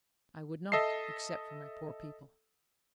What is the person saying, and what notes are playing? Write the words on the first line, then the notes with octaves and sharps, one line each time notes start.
"I would not--except for my poor people."
A4 D#5 E5 A5 C7